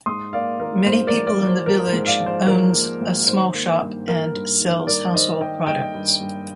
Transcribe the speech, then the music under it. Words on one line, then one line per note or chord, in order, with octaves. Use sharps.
Many people in the village owns a small shop and sells household products.
G#2 C6 D#6
A#3 D5 F5
G#1 A#4
G#2 C5
A#4 D5
F3
A#4 D5
F3
C5
F3 A#4
C5
G#2
D5 F5
F3
C5
F3 A#4
A#3
G#1
D#3 C5
A#3
G2
A#3 A#4
G2
D#3
G2 A#4 D5
D#3 C5 D#5
D#3 D#5 G5
G2 D#5 G5
G2
G2